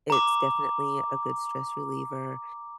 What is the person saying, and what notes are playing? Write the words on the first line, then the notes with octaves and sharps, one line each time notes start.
it's definitely a good stress reliever,
A#5 D6